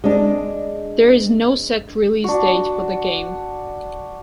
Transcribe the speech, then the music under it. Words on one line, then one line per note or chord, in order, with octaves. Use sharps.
There is no set release date for the game.
G#3 D4
D4 F#4